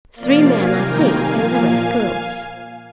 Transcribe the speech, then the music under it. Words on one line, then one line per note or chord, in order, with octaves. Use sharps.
Three men, I think, and the rest girls.
C3 F3 A#3 D5 F5
F5 G#5
C3 D#3 G3 A#3 G5 A#5
F5 G#5
A#2 F3 A#3